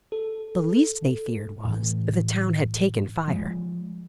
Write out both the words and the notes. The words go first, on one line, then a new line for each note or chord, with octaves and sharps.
The least they feared was, that the town had taken fire.
A4
A2 E3
F3 G#3